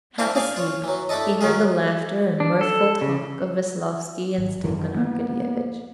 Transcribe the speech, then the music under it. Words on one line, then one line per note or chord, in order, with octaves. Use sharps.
Half asleep, he heard the laughter and mirthful talk of Veslovsky and Stepan Arkadyevitch.
D4 E4 C5 F5 G5 G#5
G#4 D5 F5 G#5
F4 C#5
E3 F#3
A3 D4 E4 A4 D#5
D#3 F#3 F4 G#4
D4
A4
C#3
G#1
F#2 D#3 E3
A#3 B3